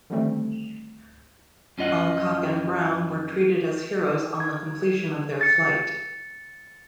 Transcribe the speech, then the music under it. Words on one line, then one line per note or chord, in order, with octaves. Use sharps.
Alcock and Brown were treated as heroes on the completion of their flight.
D3 D#3 F3 G3 A3 C4
F#2 C#4 F4 D#5 F#5
G#6
A6 C#7